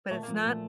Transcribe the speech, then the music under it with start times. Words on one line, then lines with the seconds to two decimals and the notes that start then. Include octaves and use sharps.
but it's not
0.11 A#2 A3
0.23 F3 A#3
0.34 A3
0.44 A#2